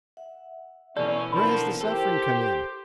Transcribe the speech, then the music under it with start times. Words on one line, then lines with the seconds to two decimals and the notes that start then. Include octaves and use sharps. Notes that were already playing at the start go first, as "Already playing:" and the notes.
Where has the suffering come in?
0.17 E5 F#5
0.97 F#2 B2 E3 C#4 A4 D5
1.32 A#2 D3 F3 D#4 E4 A#4 B5
1.81 G4 A4 C5